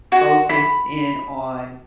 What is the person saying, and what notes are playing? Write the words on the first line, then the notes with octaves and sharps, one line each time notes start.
focused in on
F#4
B5